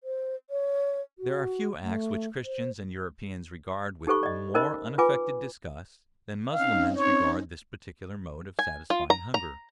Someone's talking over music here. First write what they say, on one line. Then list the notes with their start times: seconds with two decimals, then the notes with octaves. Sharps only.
There are few acts which Christians and Europeans regard with more unaffected disgust, than Mussulmans regard this particular mode of satisfying hunger.
0.04 C5
0.50 C#5
1.18 F#4
1.83 A3
2.44 C5
4.07 D#4 G4 A4 C5 B5 C#6
4.23 D5 D#5
4.54 C#4 D#4 A#4 C5 D#5 B5
4.98 F4 B4 G#5 B5 D6
6.53 C4 C#4 D#4 F5
6.96 C#5
8.59 G#5
8.90 F4
9.10 A#5
9.34 A#5